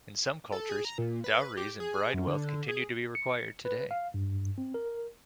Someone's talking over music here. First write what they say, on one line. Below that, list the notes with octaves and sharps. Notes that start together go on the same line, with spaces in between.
In some cultures, dowries and bridewealth continue to be required today.
A4
G#4
A#5
A#2
B4
G4
G#4
F#2
D3
G#4
C#7
B4
F5
G2
C4
A#4